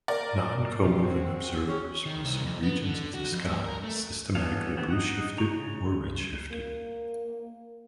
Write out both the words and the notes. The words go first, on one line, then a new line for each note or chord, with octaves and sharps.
Non-comoving observers will see regions of the sky systematically blue-shifted or red-shifted.
A#4 D5
B2 E3 F4 G4
G#3 C4 F#4 G5
C#4 G#4
D#3
C2
F2
B3
D3
F#4
F2
G2
A#4
A3
E3 B3 C#4 A4 F5
C#3 A3 B3 C4
D#4 D#5 F#5
C#3 A#5 C#6
A#3